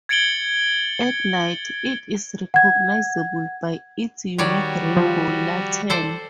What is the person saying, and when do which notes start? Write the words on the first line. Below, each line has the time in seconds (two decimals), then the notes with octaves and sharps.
At night, it is recognizable by its unique rainbow lantern.
0.09 G#6 A6 C#7 D7 F#7 G7
2.54 F#5 G#6
4.38 D#3 G3 F#4 C#5 D5
4.97 F3
5.90 A4 C5 D5